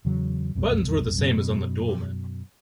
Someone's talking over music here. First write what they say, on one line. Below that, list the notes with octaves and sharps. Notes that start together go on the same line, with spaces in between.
Buttons were the same as on the dolman.
E2 C#3 F#3
F1 C2 F#2 B2
F#2 B2